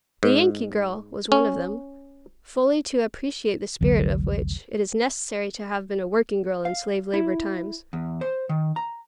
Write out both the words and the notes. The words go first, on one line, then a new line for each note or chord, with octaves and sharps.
"The Yankee Girl" was one of them, fully to appreciate the spirit of which, it is necessary to have been a working-girl in slave-labor times.
G#2
C#4
F1 C2 D3 F#3
F5
E4
E2
C5
D#3
A#5